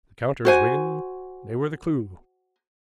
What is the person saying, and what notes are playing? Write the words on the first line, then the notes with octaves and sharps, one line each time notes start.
The counters, Wigan, they were the clew.
F#4 C5 G#5